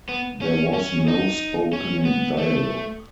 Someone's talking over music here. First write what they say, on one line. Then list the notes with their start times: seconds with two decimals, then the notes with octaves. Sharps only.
There was no spoken dialog.
0.09 B3
0.42 C#4
0.74 C#4
1.08 D#4
1.73 C#4
2.05 B3
2.38 A3